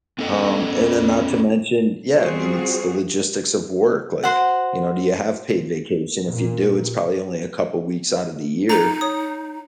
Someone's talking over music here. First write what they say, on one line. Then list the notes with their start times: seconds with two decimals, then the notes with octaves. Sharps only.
Um, and then not to mention yeah, I mean, it's the logistics of work, like, you know, do you have paid vacation? If you do, it's probably only a couple weeks outta the year,
0.19 B3 C#4 A4 D#5 F#5 G5
2.12 G3 C4 F4 F#4 G#4
4.23 F#4 C5 F#5
6.28 A#2
8.70 D#4 A#5
9.01 C#5 D#6